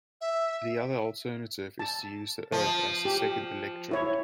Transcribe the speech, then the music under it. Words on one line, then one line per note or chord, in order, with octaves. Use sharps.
The other alternative is to use the Earth as the second electrode.
E5
A5
F3
G4
E4 C#5